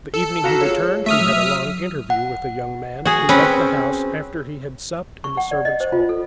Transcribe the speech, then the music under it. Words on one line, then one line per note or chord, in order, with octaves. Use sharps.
The evening he returned he had a long interview with the young man, who left the house after he had supped in the servants' hall.
A4
F#4 F5 A#5
F4 G#4 C#5
A3 E5 D#6 F6
F#3
F#5
F#4 G#4
C4 C#4 B4
C#6
F#5
D5
D#5
C5
F4
A4